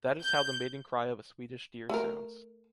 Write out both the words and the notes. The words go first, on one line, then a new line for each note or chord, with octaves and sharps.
That is how the mating cry of a Swedish deer sounds.
G6
A3 A#4